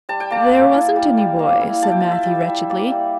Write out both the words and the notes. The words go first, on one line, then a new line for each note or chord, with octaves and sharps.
"There wasn't any boy," said Matthew wretchedly.
G3 A5
G5
A#3 A5
A#3
E4
G3
G3
A#3
E4
G3 A5
G5
F4 A5
E5
G3
E5
G3
A#3 D5
G3